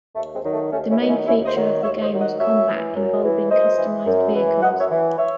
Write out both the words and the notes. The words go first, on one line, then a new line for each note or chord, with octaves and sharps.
The main feature of the game was combat involving customized vehicles.
D#2 A3
G#3 C4
D#3 F#3
A3
D#2 A3 C#4
C#4 E4
D#3 F#3
C#4 E4
D#2 C#4 E4
C5 D#5
D#3 F#3
D#2 C#5 E5
C5 D#5
D#3 F#3
D#5 F#5
F#2 C#5 E5
E3
F#2
E3
F#2 C5 D#5
E3
F#2
E3
F#2 D#5 F#5
C#5 E5
E3
C#5 E5